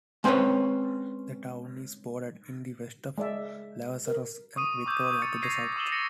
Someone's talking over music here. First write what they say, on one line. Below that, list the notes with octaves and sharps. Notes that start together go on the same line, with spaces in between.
The town is bordered in the west by Lavezares and Victoria to the south.
G#3 C4 C#4 B4 C#5
G#3 D5 E5
A#4
C#6 D#6 D#7
C#6 D6 E6 G6 G#6
D#6 G6 A6 C#7
G#6 A#6 C7 C#7 D#7 F7
C#6 E6 E7 F#7 G7
A#6 C#7